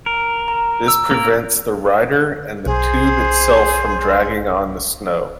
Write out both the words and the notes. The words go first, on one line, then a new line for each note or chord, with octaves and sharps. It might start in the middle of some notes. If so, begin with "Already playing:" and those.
This prevents the rider and the tube itself from dragging on the snow.
A#4
A#5
E6
A#3 A#4
B1 G#4 C5